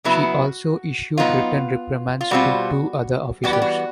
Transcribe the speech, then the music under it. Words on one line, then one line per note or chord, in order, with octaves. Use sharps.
She also issued written reprimands to two other officers.
C#3 F#3 B3 E4 F#4
F#3 B3 D#4 F4
F4
B2 G3 C4 F4 F#4
E3 G3 B3 F#4
G4
F#4